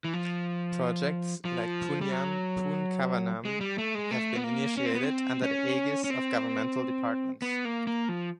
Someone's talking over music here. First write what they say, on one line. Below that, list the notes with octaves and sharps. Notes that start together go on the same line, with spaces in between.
Projects like "Punyam Poonkavanam" has been initiated under the aegis of governmental departments.
E3
F3
F3
G3
F#3
G#3
G3
A3
G#3
A3
B3
A#3
C#4
C4
B3
C4
C#4
C#4
C4
B3
A#3
A#3
F3